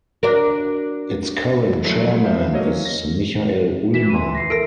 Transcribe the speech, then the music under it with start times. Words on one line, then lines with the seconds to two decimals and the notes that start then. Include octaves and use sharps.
Its current Chairman is Michael Ullmer.
0.23 D4 F#4 A#4
1.84 F3 F#3 G#3 A3 E4
2.24 B3 C5 E5 F5
2.53 F#3 A#3 C5 C#5 D#5 F5
2.67 C#4
2.85 A#6
3.94 E3 B6 E7
4.10 C6 D#7
4.35 A#6 C7
4.50 A4 A#4 A#6 D7